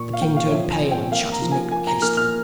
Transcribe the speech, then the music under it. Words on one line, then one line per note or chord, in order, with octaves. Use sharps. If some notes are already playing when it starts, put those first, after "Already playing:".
The King turned pale, and shut his note-book hastily.
Already playing: A#2 C#6
F5
A#2 G5
F5
C#5
F3 E5
G#5
C4
G5
A#3 F5
A#5
F3
G#5
A#3 G#5
A#5
A#3 F6
F6